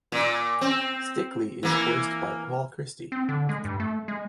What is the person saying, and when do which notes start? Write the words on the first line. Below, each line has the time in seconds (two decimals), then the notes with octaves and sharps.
Stickly is voiced by Paul Christie.
0.12 A#2
0.61 C4
1.63 E3 A#3
3.12 C4
3.29 D3
3.49 G#3
3.65 G2
3.80 A3
4.08 G#3